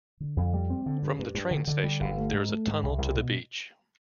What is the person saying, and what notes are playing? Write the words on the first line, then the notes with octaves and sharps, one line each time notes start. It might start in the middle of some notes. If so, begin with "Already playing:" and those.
From the train station, there is a tunnel to the beach.
D3
F2
G3
C4
D3
G2
G2
G2
D3
D3
G3
G1
A3
G#2
A3
G#2
C2
C2
B2